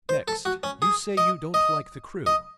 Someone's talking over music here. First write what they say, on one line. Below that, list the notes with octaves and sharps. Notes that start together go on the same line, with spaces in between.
Next, you say you don't like the crew.
C5
A4
F#4
C#4
G#4
D#5
D#5
D#5